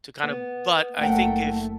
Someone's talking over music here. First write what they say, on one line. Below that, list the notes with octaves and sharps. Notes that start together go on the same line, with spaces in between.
to kinda but I think if
B3
F#1 A3 A#4 F#5 G5